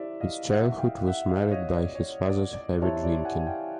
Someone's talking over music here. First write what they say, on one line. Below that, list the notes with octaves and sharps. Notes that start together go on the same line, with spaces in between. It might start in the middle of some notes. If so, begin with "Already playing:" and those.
His childhood was marred by his father's heavy drinking.
Already playing: E4 G4 C5 D5 E5
D#5 F5
E5 F#5
F5 G5
E5 F#5
D#5 F5
C#5 D#5
D5
C#5
D5
D5
E4 G4 C5 C#5 E5 A5
D5
F#5 G#5
G#5
F5 G5